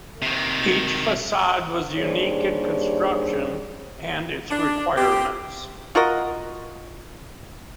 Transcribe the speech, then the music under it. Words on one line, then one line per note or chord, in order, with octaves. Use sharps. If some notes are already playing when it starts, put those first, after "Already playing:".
Each facade was unique in construction and its requirements.
C3 D#3
D#2 G3 D4 G#4 C5 C#5
D4
C4 G4
F4 F#4 A#4 D#5